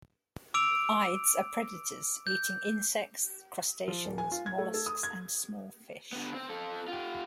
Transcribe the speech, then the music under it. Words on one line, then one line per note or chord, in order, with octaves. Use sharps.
Ides are predators, eating insects, crustaceans, molluscs, and small fish.
D6 E6 D7 F7
G6
F3
D#1
G#5
F4
G#6
A3
A4
D#6
G#6
D3 B3
C4
C4 A4
F4 G4